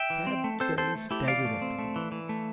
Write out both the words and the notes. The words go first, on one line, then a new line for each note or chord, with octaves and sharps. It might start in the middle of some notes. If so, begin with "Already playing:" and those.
Tad fairly staggered up to them.
Already playing: E5 G5
E3
C4
A3
C4 A4 C5
C4 A4 C5
A3
A3 E4 G4
E3 D5 F5
A3
C4
A3
E3
E3
A3